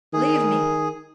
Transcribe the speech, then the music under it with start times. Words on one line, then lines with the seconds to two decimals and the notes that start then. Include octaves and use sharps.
Leave me!
0.13 D#3 G#4